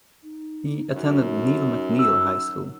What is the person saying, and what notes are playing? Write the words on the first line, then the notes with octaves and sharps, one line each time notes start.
He attended Neil McNeil High School.
D#4
F#2
E6